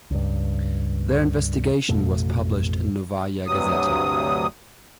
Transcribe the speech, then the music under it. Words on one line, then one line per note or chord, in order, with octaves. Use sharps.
Their investigation was published in "Novaya Gazeta".
C#2 G2
A1 F2 B2 A3
D2 G2 C3 F#3 D#6